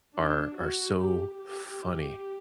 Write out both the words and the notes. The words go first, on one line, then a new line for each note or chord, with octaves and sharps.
are are so funny
D4
F#4
G4
G4